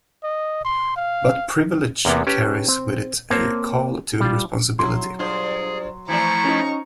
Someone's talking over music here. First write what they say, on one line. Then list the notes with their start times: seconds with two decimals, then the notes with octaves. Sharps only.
But privilege carries with it a call to responsibility.
0.24 D#5
0.65 C6
0.96 F5
2.05 E2 C3 A#3 B3
2.27 C#4 G4 B4 A5
2.68 C4
3.30 A#3 C4 C5 C#5 A5 A#5
4.20 G3 F4
4.79 F#3 E4 C6
5.19 G2 F4 G#4 C5
6.08 E3 F3 A3 C4 E4 D5 A#5 C#6
6.44 F2 C#4 D#4